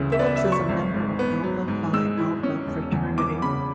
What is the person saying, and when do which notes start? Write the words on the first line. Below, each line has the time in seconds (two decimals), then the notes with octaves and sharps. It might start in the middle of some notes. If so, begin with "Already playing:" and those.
Phillips is a member of Alpha Phi Alpha fraternity.
Already playing: D2 C#3 E3
0.12 E5
0.19 B3 D5
0.36 E5
0.45 F#3
0.52 C#6
0.69 G#1
0.94 G#2
1.19 B3
1.43 F#3
1.68 G#2
1.93 G#3 E6
2.17 E4
2.43 C#4
2.67 E1
2.92 E2
3.18 E3 D6
3.42 C#3 B5